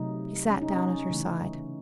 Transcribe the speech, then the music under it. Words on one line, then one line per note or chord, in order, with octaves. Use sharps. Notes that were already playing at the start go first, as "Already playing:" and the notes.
He sat down at her side.
Already playing: C3 F#3 A3 D#4
C#4
D#4
C#4
C#3 E3 A3